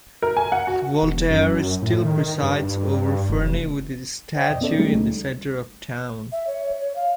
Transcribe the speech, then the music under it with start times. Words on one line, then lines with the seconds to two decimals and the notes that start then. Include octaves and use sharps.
Voltaire still presides over Ferney with his statue in the center of town.
0.22 A#4
0.37 G#5
0.52 F#5
0.67 F#4
1.03 E1
1.31 F#2
1.82 A2
2.05 D#3
2.42 G2
3.29 F1
4.36 C5 D#5 E5 G5
4.50 F2 B2 D5 D#5
4.61 B3 C#4 A4 D5
4.79 G3 A3 C#4 D#4 G#4
4.92 D2 A3
6.32 E5
6.47 C#5
6.81 C#5
6.95 F5